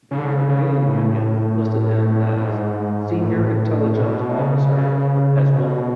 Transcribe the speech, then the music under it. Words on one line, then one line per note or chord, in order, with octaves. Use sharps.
The European Union listed him as "Senior Intelligence Officer of Hezbollah".
C#3
D3
C#3
C#3
A2
A2
G#2
A2
A2
B2
C#3
C#3
B2